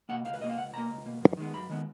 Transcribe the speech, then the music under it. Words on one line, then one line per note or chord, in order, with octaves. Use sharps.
I have made my way through three years of posts.
B2 A#3 F#5
C#2 F5
B4
B2 A#3 D#5
F5
C#2 F#5
B2 A#3 A#5
C#2
B2 A#3
F#2
D#3 G#3 B3
F#2 B5
D#3 G#3 B3